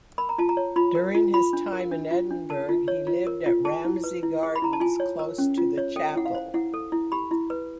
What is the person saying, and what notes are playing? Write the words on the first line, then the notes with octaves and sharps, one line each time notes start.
During his time in Edinburgh he lived at Ramsay Gardens close to the chapel.
A#4 B5
A#5
F4 A5
A#5
C#5
F4 B5
A#4
F4
F4 B5
D4
A#4
D4
F4
D4
A#4 A5
F4
C#5
F4
A#4
F4
G#4 A5
E4
B4
E4
G#4
B5
E4 A#5
A5
F4 G#5
C#5
A#4
C#4
F4
C#5
A4 G5
G5
E4 F#5
F5
C5
E4 F#5
A4
E4
G4 B5
E4
B4